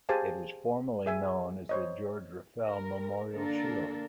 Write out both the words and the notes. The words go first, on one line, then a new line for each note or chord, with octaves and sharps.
It is formally known as the George Ruffell Memorial Shield.
G4 G#4 C5 F5 G#5 A5
G#4 E5 G#5
C5 C#5 D#5
A#4
D3 A#3 D4 A4 A#4